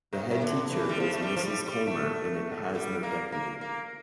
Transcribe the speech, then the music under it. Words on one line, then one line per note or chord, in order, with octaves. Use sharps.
The head Teacher is Mrs Colmer and it has no deputy.
C3
C3
D3
E3
G3
F3
A3
G3
F3
G3
G3
A3
G3
A#3
A#3
A#3